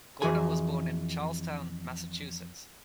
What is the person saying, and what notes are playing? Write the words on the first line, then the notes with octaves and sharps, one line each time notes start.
Gordon was born in Charlestown, Massachusetts.
F2 E3 F#4 G#4 G#5